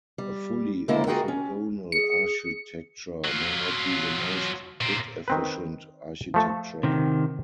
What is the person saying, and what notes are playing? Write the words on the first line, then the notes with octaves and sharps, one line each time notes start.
A fully orthogonal architecture may not be the most "bit efficient" architecture.
G3
D3 G#3 A#3 E4 A4 A#4
F4 F#4 G#4 A#4 F#5 G5
C#4
G#4 C#7
F#3 F4
A#2 C4
D#3 C4 B4
F3 A3 A4
C3 D#3